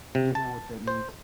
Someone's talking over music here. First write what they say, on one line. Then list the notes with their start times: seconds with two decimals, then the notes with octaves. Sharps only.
You know what that means.
0.15 C3
0.35 A5
0.88 C5